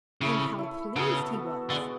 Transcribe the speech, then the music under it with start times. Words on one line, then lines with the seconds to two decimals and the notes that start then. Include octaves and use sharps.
And how pleased he was!
0.21 C#3 E4 A4 C#5
0.59 E4 A4 C#5
0.96 C#3 B3 F#4 A4
1.33 B3 F#4 A4
1.70 D3 G#3 B3 F#4